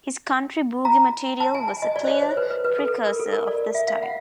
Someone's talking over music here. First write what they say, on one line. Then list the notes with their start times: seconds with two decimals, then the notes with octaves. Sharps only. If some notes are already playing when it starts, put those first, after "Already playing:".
His country boogie material was a clear precursor of the style.
0.85 A#5
1.40 A5
1.54 G#5
1.68 G#5
1.82 D#5
1.96 D5
2.04 C5
2.10 C#5
2.23 C5
2.37 B4
2.50 B4
2.64 B4
2.78 A4
3.06 A#4
3.20 A4
3.33 A#4
3.47 D5
3.75 E5
3.88 F5
4.03 F#5